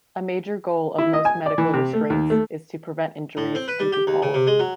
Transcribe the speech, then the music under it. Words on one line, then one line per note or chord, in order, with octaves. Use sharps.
A major goal of most medical restraints is to prevent injuries due to falls.
E4
D#5
G#5
D5
E3
C3
A3
D#2
A3
A2
C4
B4
G3
G4
D#2
C#3
C3
G#3
F#3